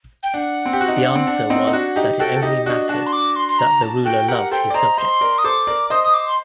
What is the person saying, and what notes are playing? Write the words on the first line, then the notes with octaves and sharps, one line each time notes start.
The answer was that it only mattered that the ruler loved his subjects.
G5
D4 F#5
C4
G4
F#4
D#4
D4
C4
D4
C4 D#4
D#4
D4 F#4
D#4 G4
F#4 A4 G5
A4
D#4 G4 D#5
D4 F#4 D#5
D4 F#4 A5
C6
D6
C6
C6
A#5
A5
F#4 A4 G5
G4 A#4 F#5
A4 C5 G5
D5
C5 D#5 A#5
C5 D#5 C6
A#4 D5
D#6
A4 C5 D6
A#4 D5
C5 D#5 D#6
D#6
D6
C6